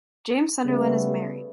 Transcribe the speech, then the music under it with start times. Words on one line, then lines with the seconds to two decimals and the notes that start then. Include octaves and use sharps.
James Sunderland is married.
0.65 C#3 G3 A3 B3 B4